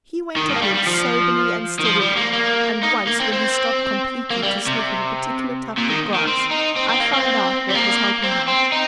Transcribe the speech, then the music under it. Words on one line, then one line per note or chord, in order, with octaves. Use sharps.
He went ahead soberly and steadily, and once when he stopped completely, to sniff at a particular tuft of grass, I found out what was helping him.
D#3
G2
A#3
G3
G3
F3
D#3
F3
G3
A#3
A#3
D#4
A#3
C4
C4
A#3
G3
C3
A#2
D#3
D#3
C4
D#4
C4
C4
A#3
C4
G3
A#3
C4
C4
D#4